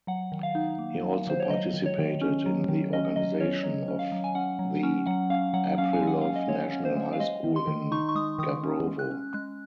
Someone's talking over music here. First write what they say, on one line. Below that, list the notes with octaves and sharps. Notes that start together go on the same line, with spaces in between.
He also participated in the organization of the Aprilov National High School in Gabrovo.
F#3 F#5
D#3
F5
D#4
A#3
F#3
D#3 C5
C#5
F#3 D#5
D#3
C#5
D#3
C#4
F#3
D#3
C#4 D#5
F#3 D#5
C#4 C#5
F#3 C#5
C#4
F5
F#3
G#5
C#4 F#5
F#3
C#4
F#3 F#5
C#4 F5
F#3 F#5
C#4 F5
G#5
G#3
F#5
C#4 F5
D#5
G#3 C#5
C#4
C5
G#3
F5
G#3 D#5
D#3
C6
D#3
D#4 C#6
C#6
G#3 D#6
D#3 D#6
C#4
G#3
F#6
C#4
G#3 F#6